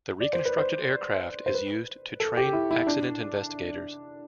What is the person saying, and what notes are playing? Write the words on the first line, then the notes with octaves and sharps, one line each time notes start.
The reconstructed aircraft is used to train accident investigators.
D5
C5
B4
C5
C5
B4
A4
G4
E4
E4
D4